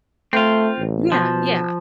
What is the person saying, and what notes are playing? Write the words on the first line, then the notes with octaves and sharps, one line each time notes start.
Yeah, yeah.
A3 C4 F4
A1
B2 F3